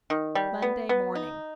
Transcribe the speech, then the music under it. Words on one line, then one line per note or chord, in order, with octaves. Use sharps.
Monday morning.
D#3
G3
B3
B3
D#4